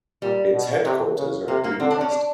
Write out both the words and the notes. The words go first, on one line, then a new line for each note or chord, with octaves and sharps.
Its headquarters are in Budapest.
A#2 G3
B2
C3 F#3
C#3
C3 A#3
A#3
D3 C4
D4
C#4
D4